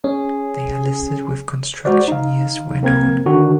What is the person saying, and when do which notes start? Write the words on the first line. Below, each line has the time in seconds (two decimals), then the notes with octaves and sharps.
They are listed with construction years where known.
0.04 C#4 G#4
1.85 G#3 F#4 C5 D5
2.08 D#4 F5
2.83 A#3 C4 A#4 G#6
3.26 D3 D#3 D4 F#4